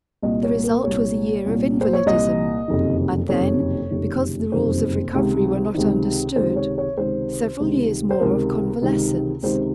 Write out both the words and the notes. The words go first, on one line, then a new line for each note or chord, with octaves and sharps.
The result was a year of invalidism, and then, because the rules of recovery were not understood, several years more of convalescence.
C2 A#2 D#5
C#5
A#4
C2 A#2 C#5
C2 A#2
C5
C#5
C2 A#2 D#5
F#1 F2 C3 D#3
F#1 F2 C3 D#3 C#5
F#1 F2 C3 D#3
F#1 F2 C3 D#3 C5
C#2 C3 D#3
C#2 C3 D#3
C#2 C3 D#3 C5
C#5
C#5
C#2 C3 D#3 C5
C#2 C3 D#3
C5
C#2 C3 D#3 A#4
C#2 C3 D#3
C#2 C3 D#3 C5